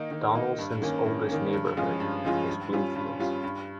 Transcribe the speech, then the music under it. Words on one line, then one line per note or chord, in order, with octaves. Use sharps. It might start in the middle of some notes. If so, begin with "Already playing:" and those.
Donelson's oldest neighborhood is Bluefields.
Already playing: D#3 A#3 D#4
D#3
A#3 D#4
G2
D#3 A#3 C#4
G2
D#3 A#3 C#4
G2
F3 G#3 C#4 F4
G2
F3 G#3 C#4 F4
G2
G3 C#4 F4
G2
G3 C#4 F4
G2